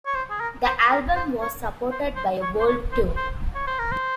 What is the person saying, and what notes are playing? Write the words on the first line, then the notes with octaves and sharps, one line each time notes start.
The album was supported by a world tour.
C#5
C5
G#4
A#4
C5
A#4
C5
C#5
C5
C5
C#5
C5
C#5
C5
C5
C#5
C5
A#4
C5